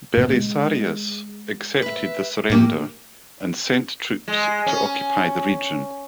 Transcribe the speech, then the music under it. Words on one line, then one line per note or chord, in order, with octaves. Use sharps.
Belisarius accepted the surrender and sent troops to occupy the region.
A#2 C#3 A3
G#3
B4 E5
A2 A3 A#3 G4
G#3
C#4